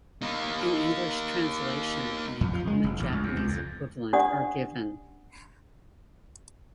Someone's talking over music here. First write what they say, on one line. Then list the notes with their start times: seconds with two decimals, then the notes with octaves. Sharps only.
An English translation and a common Japanese equivalent are given.
0.22 A#3 D#4
2.41 F2
2.53 F3
2.67 G#3
2.84 F#1
3.00 A1
3.13 C#2
3.24 E2
3.37 C#2
3.48 F2
4.13 C#4 D4 G4 D5 F#5 D#6